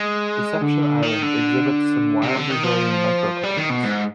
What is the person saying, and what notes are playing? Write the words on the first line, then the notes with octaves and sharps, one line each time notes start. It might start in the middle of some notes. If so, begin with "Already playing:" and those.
Deception Island exhibits some wildly varying microclimates.
Already playing: G#3
D3
D#3
D3
C3
D3
D#3
F3
G3
D#3
B2
G#2